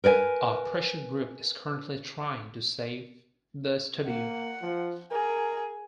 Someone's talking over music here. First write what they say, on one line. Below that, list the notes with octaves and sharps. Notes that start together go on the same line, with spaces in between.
A pressure group is currently trying to save the studio.
A#4 B4 D5 G#5
A#3 F#5
F3
G#4 A#4